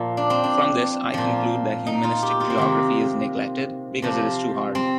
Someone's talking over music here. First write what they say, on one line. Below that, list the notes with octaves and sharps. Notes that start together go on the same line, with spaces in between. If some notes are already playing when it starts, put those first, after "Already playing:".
From this, I conclude that humanistic geography is neglected because it is too hard.
Already playing: A#2 F3
D4
C4
D4
A#2 F3
D#4
F4
G4
F4
C4
C3 D#3 A#3
C3 F3
C4